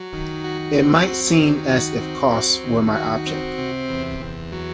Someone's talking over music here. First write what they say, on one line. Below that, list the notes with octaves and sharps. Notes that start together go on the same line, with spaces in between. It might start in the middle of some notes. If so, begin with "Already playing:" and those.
It might seem as if costs were my object.
Already playing: F#3
D#3
F#4
C4
F#3
D#3
F#4
C4
F#3
D#3
F#4
C4
C3
E2
E2
F#3